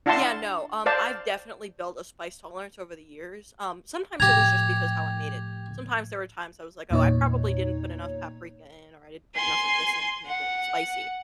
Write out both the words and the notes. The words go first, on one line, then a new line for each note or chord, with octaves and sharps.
Yeah, no, um, I've definitely built a spice tolerance over the years, um, sometimes it was just because how I made it, sometimes there were times I was, like, "Oh, I probably didn't put enough paprika in or I didn't put enough of this in to make it spicy."
D4 E4 F5 F#5 A5 C6
C5 D5 F5 A5
A2 F3 G4 A#5 G#6
E2 A#2 D#4 C#5
G#5 C6
F#5